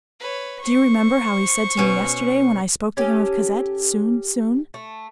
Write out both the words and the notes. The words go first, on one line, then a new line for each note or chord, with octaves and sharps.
Do you remember how he said to me yesterday, when I spoke to him of Cosette, Soon, soon?
B4 C#5
C5 C#6
B2 C#4
C#4 G4 A4
A3